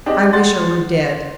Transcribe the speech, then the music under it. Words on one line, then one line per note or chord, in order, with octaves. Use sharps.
I wish I were dead.
C4 D4 G4 G#4 D#5
F#5 C6 A6